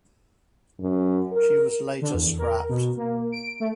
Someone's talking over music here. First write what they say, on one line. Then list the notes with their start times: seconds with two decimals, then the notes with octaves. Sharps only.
She was later scrapped.
0.80 F#2
1.32 A#4
2.01 D3
2.14 E2
2.39 A#4
2.69 B2
2.97 A#3
3.32 D7
3.60 A3